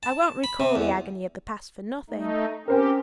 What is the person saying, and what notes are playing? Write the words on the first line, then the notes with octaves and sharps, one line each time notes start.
I won't recall the agony of the past for nothing.
A5
B5
C3
E2
A3 D#4
C4 C#4 G4 A#4 C5 G5